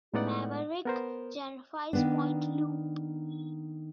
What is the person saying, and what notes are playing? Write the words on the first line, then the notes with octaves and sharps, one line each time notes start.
Maverick - Jeffries Point Loop.
A2 G#3 B3 D#4 D5 F#5
B3 A#4 C5
D#3 B3 D4